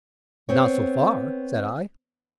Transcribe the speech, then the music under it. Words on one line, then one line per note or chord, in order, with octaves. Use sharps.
"Not so far," said I.
B3 C4 C#5